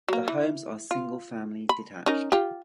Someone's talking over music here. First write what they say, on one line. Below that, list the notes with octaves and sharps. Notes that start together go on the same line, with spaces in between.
The homes are single-family detached.
F#3 A#3
E3
F4
B5
C#4 D#4 A#4
F4 G4